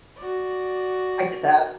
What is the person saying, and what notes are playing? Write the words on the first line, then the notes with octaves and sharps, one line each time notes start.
I get that.
F#4 D5